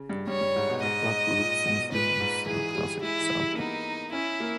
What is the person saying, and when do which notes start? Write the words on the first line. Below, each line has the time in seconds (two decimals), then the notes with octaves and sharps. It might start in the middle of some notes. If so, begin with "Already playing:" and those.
Blood groups in humans is a classic example.
Already playing: C#3
0.09 G2
0.28 G2 C#5
0.41 G2
0.56 G#2
0.69 B2
0.83 G#2 D#5
1.38 A#2
1.65 B2
1.93 A#2 B4
2.20 G#2
2.47 E3 G#4
2.75 G3
3.02 G#3 E4
3.20 E3
3.39 G3
3.53 A#3
3.58 B3 D#4
4.13 C#4 E4
4.40 A#3